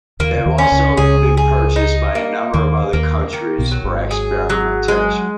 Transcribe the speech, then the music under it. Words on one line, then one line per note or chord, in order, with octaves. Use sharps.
They have also been purchased by a number of other countries for experimentation.
D#2 D#3 A#3
C#3
D#2 D#3
C#4
C#2 C#3
C#2 C#3 G#4
G#4
D#4
A#3
D#2 D#3 A#3
D#2 D#3 A#3
D#3
B1 B2
F#3
G#1 G#2
G#4
F#3
G#3